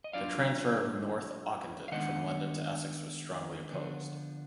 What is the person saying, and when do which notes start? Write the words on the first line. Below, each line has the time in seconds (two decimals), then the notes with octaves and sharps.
The transfer of North Ockendon from London to Essex was strongly opposed.
0.04 D#5
0.13 F#3 D4 F4 D5 F5
1.88 F5
1.92 D#3 G#3 B3 D4 D#5 F#5
3.70 D3 F3 B3 D4